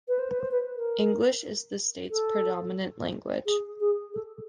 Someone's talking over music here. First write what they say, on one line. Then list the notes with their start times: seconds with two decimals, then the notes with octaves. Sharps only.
English is the state's predominant language.
0.08 B4
0.19 C5
0.30 B4
0.40 C5
0.51 B4
0.76 A#4
2.10 A4
3.46 G#4
3.80 G#4
4.14 A4